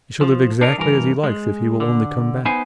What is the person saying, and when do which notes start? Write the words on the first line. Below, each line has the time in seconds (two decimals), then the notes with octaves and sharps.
He shall live exactly as he likes if he will only come back.
0.21 F3
0.61 D4 D#4 A#4
0.78 G2 E3 A#4
1.24 G#3
1.80 D3
2.45 B3 D#4 B4 C5 G#5